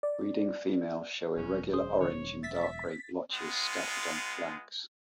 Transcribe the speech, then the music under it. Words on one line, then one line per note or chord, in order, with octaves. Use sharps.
Breeding females show irregular orange and dark grey blotches scattered on flanks.
D5
E1 F#2 C#4
G#4 C5 D#6
D#3 C#5
E5 A6 B6
G#3 B3 F4